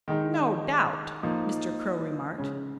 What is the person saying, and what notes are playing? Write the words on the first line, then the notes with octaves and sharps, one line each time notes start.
"No doubt!" Mr. Crow remarked.
D#3 G#3 D#4
F3 A#3 D#4
C#3 G#3 C#4